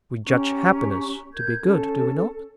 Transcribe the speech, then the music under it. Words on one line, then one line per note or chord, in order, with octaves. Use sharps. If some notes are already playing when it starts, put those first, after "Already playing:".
'We judge happiness to be good, do we not?'
C#4 G4 A#5 C#6
A#4 G6 G#6
C#4 A4